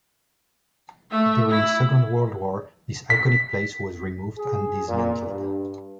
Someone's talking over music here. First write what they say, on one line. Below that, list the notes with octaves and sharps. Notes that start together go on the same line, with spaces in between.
During Second World War, this iconic place was removed and dismantled.
A3 E5
E4
B6
G#4
A#2
G2